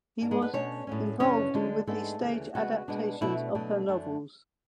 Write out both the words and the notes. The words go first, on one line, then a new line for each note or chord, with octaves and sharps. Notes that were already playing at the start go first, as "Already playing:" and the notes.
He was involved with the stage adaptations of her novels.
G#2 G#3 D4
G#3 G#4
B3 B4
B2 A3 C#4 D4 C#5
A2 F#3 C#4
F#2 C#3 E3 C#4 D4 C#5
D2 D3 G#3 D4
G#2 G#3 A3 B3 D4 A4
D2 C#3 E3 A3
D2 C#3 G#3 B3 F#4
B2 G#3 B3 D4
B2 A3 D4 E4
B2 F#3 A3 D4
F#2 D3 A3 D4